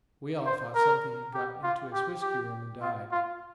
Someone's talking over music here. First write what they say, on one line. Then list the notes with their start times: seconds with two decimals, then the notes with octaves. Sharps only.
We all thought something had got into his whiskey-room and died.
0.46 C5
0.75 A#4
1.34 G4
1.63 F4
1.93 G4
2.22 G4
2.81 F4
3.11 F4